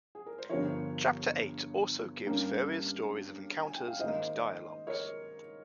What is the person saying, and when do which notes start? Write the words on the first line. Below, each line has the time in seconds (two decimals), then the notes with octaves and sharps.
Chapter Eight also gives various stories of encounters and dialogues.
0.15 G#4
0.26 A#4
0.38 C5
0.50 G1 G2 F3 A#4 C#5
2.25 G2 G3 A#3 C#4
3.65 G#5
3.76 G5
3.88 F5
3.99 G#2 D#3 A#3 C5 D#5
4.87 A#4 C#5